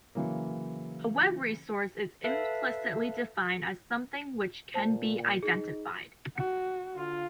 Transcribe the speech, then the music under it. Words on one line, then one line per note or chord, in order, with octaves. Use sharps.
A web resource is implicitly defined as something which can be identified.
C#3 E3 F#3 A#3
A4 B4 E5 F5 A5
A#2 C5 A5
D#4 G#4
F#4
D3 F4